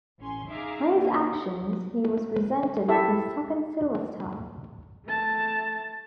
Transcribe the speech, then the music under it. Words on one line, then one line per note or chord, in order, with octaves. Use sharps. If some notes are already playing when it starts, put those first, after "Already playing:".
For his actions, he was presented with his second Silver Star.
A1 C#4 G#5 C6
D#4 G#4 E5 F5 A#5 D6
D#2 A#2 D3 A#3 D4
E4 G4 A4 E5
A3 A5